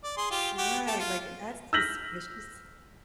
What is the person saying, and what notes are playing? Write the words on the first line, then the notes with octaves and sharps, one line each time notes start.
Right, like, that's suspicious?
D5
G#4 C6
F4 G4
F#4 G4
A3 G4 A5
F4
E6 F6 G6 A#6 B6 F#7